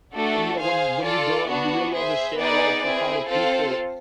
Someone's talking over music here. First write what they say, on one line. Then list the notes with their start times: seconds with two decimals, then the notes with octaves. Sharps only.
and, you know, when when you grow up, you really understand, like, the kind of people
0.14 A3 D4 F#4 A4
0.59 G#4 C5 F5 G#5
1.04 F4 A4 D5
1.48 B3 D4 F#4
1.93 G#4 C5 E5
2.37 B3 D#4 G#4 B4 D5
2.83 C4 E4 G#4
3.28 C4 F4 A4 C5 F5